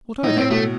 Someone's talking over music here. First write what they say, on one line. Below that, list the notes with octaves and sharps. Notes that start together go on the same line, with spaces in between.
"What are they?"
A2 D#4
A2 C4
B2 A3